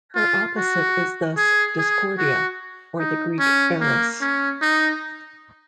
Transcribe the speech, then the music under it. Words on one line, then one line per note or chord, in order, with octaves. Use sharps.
Her opposite is thus Discordia, or the Greek Eris.
F4
F#4
G#4
G#4
F#4
D#4
C#4
A#3
C#4
D#4